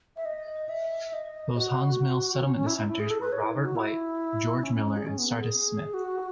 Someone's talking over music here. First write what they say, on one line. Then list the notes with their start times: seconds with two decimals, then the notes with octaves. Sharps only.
Those Haun's Mill settlement dissenters were Robert White, George Miller, and Sardis Smith.
0.16 E5
0.25 D#5
0.69 E5
1.04 E5
1.13 D#5
1.57 F#4
2.44 C#4
2.56 C#4
2.67 E4
2.77 E4
2.89 E4
3.00 G#4
3.10 A4
3.21 B4
3.32 C#5
3.43 E4
3.54 D#4
3.65 F#4
3.76 E4
4.63 C#4
4.74 C#4
4.86 C#4
4.97 G#4
5.07 C#4
5.18 B3
5.29 B3
5.40 G#4
5.94 F#4